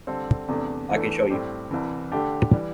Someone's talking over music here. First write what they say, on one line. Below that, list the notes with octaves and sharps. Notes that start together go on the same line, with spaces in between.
I can show you.
D3 G3 C4 A4
E2 C3 A3 D4
E2 E3 A3 D4
A2 G3 C4 G4
C2 C3 E3
D3 A3 D4 G4
E3 G3